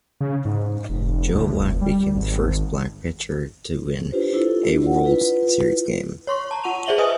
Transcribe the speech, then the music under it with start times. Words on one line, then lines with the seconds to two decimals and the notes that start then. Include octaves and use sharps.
Joe Black became the first black pitcher to win a World Series game.
0.21 C#3
0.45 G#2
0.89 F1
1.35 D2
1.59 F1
1.81 G3
2.15 G#1
4.12 D4 E4 F4 G4 B4 C5
4.33 D4 E4 F4 A4
4.83 D5 F#5
5.04 E4 F4 B4
6.27 C#5 C6 C#6
6.51 A5 A#5
6.63 F4 F#5 C#6 D#7 F7
6.86 G#4 C5 D5 E5 F#7 G7
6.98 B4 D#5 E5 G#5 D#6